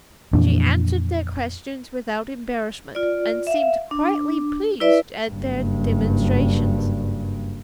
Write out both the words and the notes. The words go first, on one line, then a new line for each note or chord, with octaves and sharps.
She answered their questions without embarrassment, and seemed quietly pleased at their demonstrations.
F2 A#2 E3 D4
F4 D5
E5 F5
D4
E4 B4 D5 E5
F#1 G2